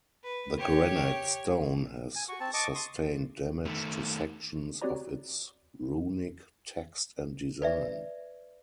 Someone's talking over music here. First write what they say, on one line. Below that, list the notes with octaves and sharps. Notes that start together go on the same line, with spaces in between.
The granite stone has sustained damage to sections of its runic text and design.
B4
G4 C#5
G#5
F#4 C#6
C4 A5
D#5 A5 C#6 D6
C6 D#6
D#3 A3
C4 F#4 G4 C#5 D5 A#5
B4 D5 E5